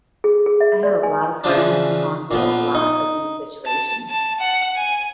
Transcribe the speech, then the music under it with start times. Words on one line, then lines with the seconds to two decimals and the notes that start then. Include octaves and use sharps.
I have a lot of friends who've gone through a lot of these situations.
0.24 G#4
0.46 G#4
0.61 E5
0.83 D5
1.03 G#5
1.44 C#3 E3 F3 D4
2.31 A#2 F3 B3
2.74 D#4
3.66 A5
4.10 A5
4.40 F#5
4.76 G#5